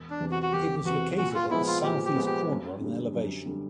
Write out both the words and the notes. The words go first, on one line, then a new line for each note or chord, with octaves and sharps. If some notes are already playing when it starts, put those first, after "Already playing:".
It was located at the southeast corner on an elevation.
Already playing: E1
D4
E2 C3
F#4
F#4
E1 G4
E2 C3 F#4
A#2 F#4
F4
F3 G#3 B3 E4
F4
A#2 G4
G4
F3 G#3 B3
G4
F#2
D3 G3
F#2
D3 G3